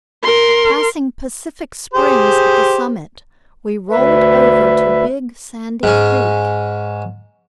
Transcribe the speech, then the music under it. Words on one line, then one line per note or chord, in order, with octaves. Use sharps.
Passing Pacific Springs at the summit, we rolled over to Big Sandy Creek.
A#4 C6
G4 G#4 C5
D2 B4 E5
G#2 C#4